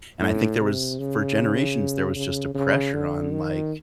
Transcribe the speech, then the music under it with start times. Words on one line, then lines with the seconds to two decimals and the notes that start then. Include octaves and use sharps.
and I think there was for generations, there was just a pressure on, like,
0.21 A2
0.60 C3
0.99 C#3
2.15 C#3
2.55 C#3
2.93 D3
3.32 D#3